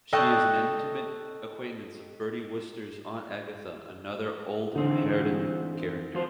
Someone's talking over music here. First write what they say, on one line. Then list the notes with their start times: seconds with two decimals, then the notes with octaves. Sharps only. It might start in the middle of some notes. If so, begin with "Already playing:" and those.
She is an intimate acquaintance of Bertie Wooster's Aunt Agatha, another old harridan character.
0.13 A4 D#5 G5 C#6 F#6
4.76 D3 E3 C4 D#4
6.15 F3 F#4 C5